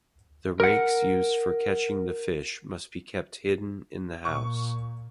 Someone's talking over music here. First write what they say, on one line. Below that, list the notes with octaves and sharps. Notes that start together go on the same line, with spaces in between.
The rakes used for catching the fish must be kept hidden in the house.
A#4 F#5
A#2 C#6